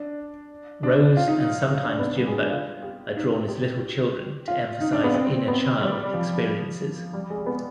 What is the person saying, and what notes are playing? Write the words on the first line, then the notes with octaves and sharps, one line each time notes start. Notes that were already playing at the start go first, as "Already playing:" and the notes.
Rose and sometimes Jimbo are drawn as little children to emphasize "inner child" experiences.
Already playing: D4
D4
F4
D#4
D4
B3
G3
G#3
D4
F4
G4
D#4
G4
F4
D#4
D4
B3
C4
B3
G3
F3
G3
G#3
B3